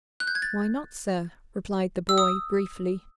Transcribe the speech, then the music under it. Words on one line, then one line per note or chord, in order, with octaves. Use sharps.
"Why not, sir?" replied the boy briefly.
F#6
G6
G#6
A6
E6
D#6